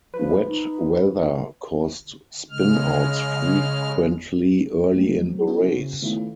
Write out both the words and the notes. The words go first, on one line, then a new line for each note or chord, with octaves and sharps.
Wet weather caused spinouts frequently early in the race.
F3 B4
D#4
C#3 G#3 F6
F#3 A3 C4
B3 C#4 E4 F#4 G#4 C5
C#3
D#3 A3 B3 C#4 E4 F4